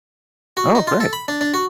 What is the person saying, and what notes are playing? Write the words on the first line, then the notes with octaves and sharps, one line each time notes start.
Oh, great.
F#4
D#4
F4
A4
B5
D4
D4
F#4